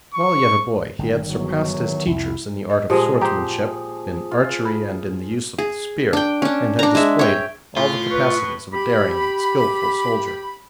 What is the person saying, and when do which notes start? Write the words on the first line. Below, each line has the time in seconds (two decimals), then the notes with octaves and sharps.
While yet a boy he had surpassed his teachers in the art of swordsmanship, in archery, and in the use of the spear, and had displayed all the capacities of a daring and skillful soldier.
0.14 C#6
0.99 G1 D#3
1.30 E2 F#3
1.74 D#3
2.06 C2 F2 E4
2.70 D#5
2.90 A#2 F3 G#3 G4 G#4 C5
3.21 G4 C5 A#5
4.31 F4
4.65 B5
5.58 G#4
6.13 D4 G5
6.42 C#4 D4
6.79 D4 A#5
6.95 G#3 E5
7.19 C#5 G5
7.77 A2 F4
8.11 B4 C#6
8.73 G4 B5